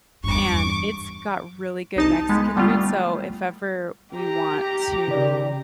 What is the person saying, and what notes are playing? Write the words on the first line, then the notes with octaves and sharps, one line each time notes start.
and it's got really good Mexican food, so if ever we want to
E2 G2 C#6 D6
C2 D#4 A5
G#3 B3
D3 G3 A3 B3 F4
G4 A#5
C#3 D5